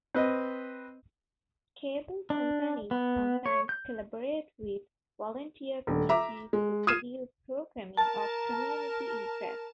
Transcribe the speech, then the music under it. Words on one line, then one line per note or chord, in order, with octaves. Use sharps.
Cable companies sometimes collaborate with volunteer committees to produce programming of community interest.
C4 B4 D#5
D4
B3
C#5
G6
D#1 D3
E5 A#5 D6
G#3
D#6 F6 G#6 C7 D#7 E7
A#4 A5